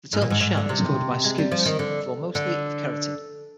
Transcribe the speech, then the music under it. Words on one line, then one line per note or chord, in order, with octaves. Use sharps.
The turtle's shell is covered by scutes formed mostly of keratin.
G#2
A#2
G#2
G#2
D3
C3
G#3
G3
F3
D#3
D3
D3